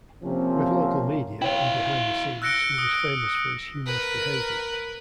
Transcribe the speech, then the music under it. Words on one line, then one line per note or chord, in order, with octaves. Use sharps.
With local media and behind the scenes he was famous for his humorous behavior.
C3 F3 A#3 C4 C#4
E4 C#5 F5 G5
E6 F#6 A#6 C#7 D7 G7
D#6
A#4 B4